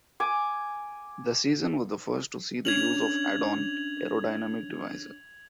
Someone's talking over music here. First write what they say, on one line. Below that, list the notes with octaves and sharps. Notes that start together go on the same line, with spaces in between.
The season was the first to see the use of add-on aerodynamic devices.
G#5 D6
C#4 D4 G#6 F7 F#7